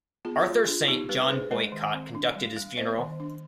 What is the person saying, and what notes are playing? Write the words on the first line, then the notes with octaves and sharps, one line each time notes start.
Arthur Saint John Boycott conducted his funeral.
B3 F4 G#4
G3
F4 G#4
D4
B3 D#4 G4
G3 G4 B4
B4
D4 G#4 C5
G#3 C5 D#5
D#3
C4
D4
G3
G3
B3 C5 D#5
D#3
D4